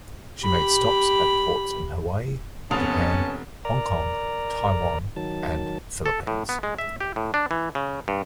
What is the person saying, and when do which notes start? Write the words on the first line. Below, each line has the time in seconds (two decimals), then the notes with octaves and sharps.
She made stops at ports in Hawaii, Japan, Hong Kong, Taiwan and Philippines.
0.43 G4 B5
2.71 F1 A#3 B3 C#4 A5 D#6 F7
3.65 A#4 D5 A#5
5.16 D#3 F#3 A5
6.06 A4
6.27 A2
6.49 B3
6.63 G#3
6.78 E5
7.01 G4
7.16 A2
7.34 D4
7.51 E3
7.75 C#3
8.08 G2